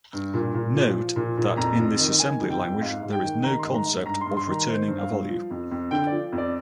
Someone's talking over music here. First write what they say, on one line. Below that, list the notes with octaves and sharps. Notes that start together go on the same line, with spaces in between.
Note that in this assembly language, there is no concept of returning a value.
G2
A#2
A#2
F3
F3
A#2
A#2
F2 A#5
F2
D#3
D#3 G#5
F2
G5
F2
G#2 F5
G#2
G5
D#3
D#3 A#5
C6
G#2
A#5
G#2
G2 A#5
C6
G2
C6
D#3 A#5
D#3 C5
G2
F5
G2
F3
F2
F2
D3 G5
F3 D5
F2
D5